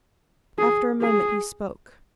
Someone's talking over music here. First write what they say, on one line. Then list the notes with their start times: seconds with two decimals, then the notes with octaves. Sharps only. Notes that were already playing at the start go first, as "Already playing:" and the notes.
After a moment he spoke.
0.58 G#4
1.01 G#4